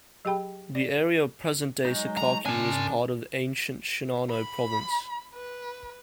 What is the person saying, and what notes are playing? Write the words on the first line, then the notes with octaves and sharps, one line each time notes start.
The area of present-day Sakaki was part of ancient Shinano Province.
F#3 G4 G#4 G5 B5
D5
F#3 G#3 D#4
A#5
C#3 D4 A#4 G#5
B5
B4